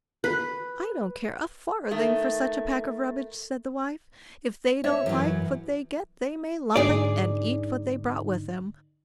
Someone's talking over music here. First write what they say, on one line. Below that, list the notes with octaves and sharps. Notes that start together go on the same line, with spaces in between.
'I don't care a farthing for such a pack of rubbish', said the wife; 'if they don't like what they get they may lump it, and eat what they brought with them.
B4
D#3 A3
C#5 E5
F#2 E3 F#3
G#2 D3 D#4 G#4 D5